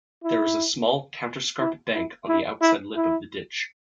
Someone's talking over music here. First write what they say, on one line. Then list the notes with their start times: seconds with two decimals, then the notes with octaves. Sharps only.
There is a small counterscarp bank on the outside lip of the ditch.
0.24 E4
1.60 E4
1.94 E4
2.28 E4
2.62 E4
2.96 E4